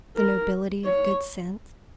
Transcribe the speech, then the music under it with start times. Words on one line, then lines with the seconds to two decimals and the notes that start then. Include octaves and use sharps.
The nobility of good sense.
0.17 A#4
0.85 C#5